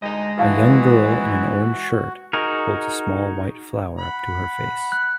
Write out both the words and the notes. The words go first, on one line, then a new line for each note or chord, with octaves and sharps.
A young girl in an orange shirt holds a small white flower up to her face.
D2 G#3 D#4 D#5
E3 F#4 B4 F5 A5
D#4 F#4 G#4 A#4
F#5 B5
F#6